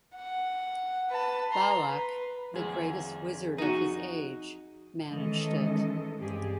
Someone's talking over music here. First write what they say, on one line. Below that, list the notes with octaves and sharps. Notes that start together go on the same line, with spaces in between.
Balak, the greatest wizard of his age, managed it.
F#5
B4 A5
A#5 C6
B4
F2 G#4
D#4 F#4
D#3 E3 G#3 C#4 A4 D#5
G2 C4 G4 G#4 D5